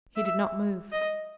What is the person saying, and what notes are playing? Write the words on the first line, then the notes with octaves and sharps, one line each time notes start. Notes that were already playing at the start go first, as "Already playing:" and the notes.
He did not move.
E5
D#5